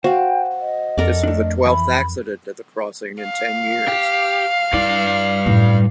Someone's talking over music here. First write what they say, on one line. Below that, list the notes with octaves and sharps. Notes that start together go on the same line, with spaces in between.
This was the twelfth accident at the crossing in ten years.
F#4 C5 F5 G5
D#5
F2 A4 A#4 D5
A3 D4
E3 B5
F5
G4
G2 E4 D5
F#2 A2